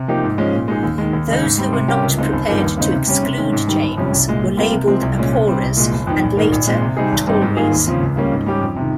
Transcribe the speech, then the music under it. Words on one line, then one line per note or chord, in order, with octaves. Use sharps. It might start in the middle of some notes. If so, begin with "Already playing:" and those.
Those who were not prepared to exclude James were labelled "Abhorrers" and later "Tories".
Already playing: C3
F3 A#3 D#4 G4
G#2
F3 G#3 C#4
A#2
G#3 D#4 G#4
D#2
D#3 G#3
D#2
C#3 G#3 D#4
G#2
G3 C4
C3
G3 C#4 G4 A#4
C#2
C#3 G#3 C4 D#4
G1
G2 F3 A#3 D#4
D#2
C#3 G#3 C4 D#4
C3
G3 C#4
C3
D#3 G#3 C#4
G#2
D#3 G3
G1
F2 C3 G3 C#4
C2
A#2 G#3
A#2
G3 C4 F4 A#4
C3
F3 G#3 C4
C2
A#2 G#3 C#4
C3
G3 C4
C2
A#2 G#3
G1
F2 D#3
A#1
G#2 D#3 A#3
A#1
A#2 G#3 C4
C3
G3 C4 D#4 G#4
G#1
G2 G3 C4 D#4
G#2
D#3 A#3 F4 G#4
D#2
C#3 F3 C4
C#2
C#3 G3 A#3 C#4
G#2
G3 C#4 G4
F2
C3 D#3